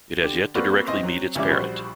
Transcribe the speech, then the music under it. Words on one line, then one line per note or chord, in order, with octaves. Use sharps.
It has yet to directly meet its parent.
D3 G4
A#3 C4 F#4 A4 B4 D5
A1 C4 D#5 C6
F#3 C4
C#2 E3 G3 C#4 E5 D6
A#1 G3 F#4 C5